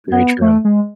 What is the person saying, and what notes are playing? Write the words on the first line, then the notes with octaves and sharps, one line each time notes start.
very true.
B3
A3
G#3